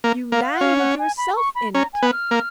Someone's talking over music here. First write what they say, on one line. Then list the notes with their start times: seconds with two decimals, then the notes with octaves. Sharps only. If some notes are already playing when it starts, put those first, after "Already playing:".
You landed yourself in it.
0.04 A#3
0.32 A#3 F5
0.54 F#5
0.60 C#4 F5
0.79 F#5
0.98 G#5
1.17 B5
1.36 C#6
1.55 B5
1.74 C#4 A#5
1.93 G#5
2.03 B3
2.12 F6
2.31 A#3